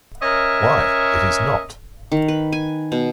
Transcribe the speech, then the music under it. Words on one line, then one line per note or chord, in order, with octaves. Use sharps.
Why, it is not!
C#4 A#4 D#5 E5
D#3
B4
G#5
B2